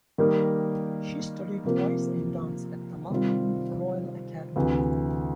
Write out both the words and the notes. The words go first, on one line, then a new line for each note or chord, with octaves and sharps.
She studied voice and dance at the London Royal Academy.
D#3 G3 A#3 D#4
C3 F3 A#3
C3 D#3 G3 C4 F4
D2 C3 E3